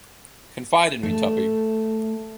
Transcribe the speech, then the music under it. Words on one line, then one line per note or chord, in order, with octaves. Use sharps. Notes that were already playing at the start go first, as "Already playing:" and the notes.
Confide in me, Tuppy.
A3